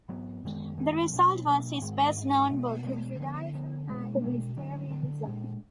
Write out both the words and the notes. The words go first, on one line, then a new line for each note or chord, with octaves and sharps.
The result was his best-known book, "Judaism and Vegetarianism".
G#2 F#3 B3
F#2 D#3 G#3 B3
F#2 D#3 G#3 B3
B2 F#3 A#3 D4
B2 F#3 A#3 D4
G#2 D#3 G#3
G#2 D#3 G#3
B2 G#3 B3
B2 G#3 B3
D3 F3 B3
D3 F3 B3
B2 G#3 D4
B2 G#3 D4
D3 F#3 D4
D3 F#3 D4
A#2 G#3 D4